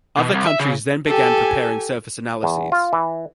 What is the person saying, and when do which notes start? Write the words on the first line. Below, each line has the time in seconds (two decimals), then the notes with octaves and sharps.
Other countries then began preparing surface analyses.
0.18 B2
0.33 C2
0.47 E5
0.60 C#3
1.07 G4 A4 G#5
2.43 E2
2.72 F4
2.93 E3